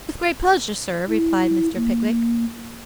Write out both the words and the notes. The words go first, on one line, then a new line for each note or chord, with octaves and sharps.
'With great pleasure, Sir,' replied Mr. Pickwick.
E4
A#3